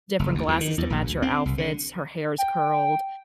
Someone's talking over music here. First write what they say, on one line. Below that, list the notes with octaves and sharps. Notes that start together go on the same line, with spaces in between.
different glasses to match her outfits, her hair is curled.
F#1
D2
E2
D#3
E2
A#1
D2
C4
C2
D3
G5